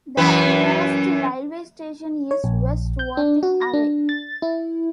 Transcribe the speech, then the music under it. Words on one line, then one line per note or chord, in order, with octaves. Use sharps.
The nearest railway station is West Worthing, away.
F#2 E3 B4
C#5
A#1
G6
D4
F#4
A#6
D4
A6
E4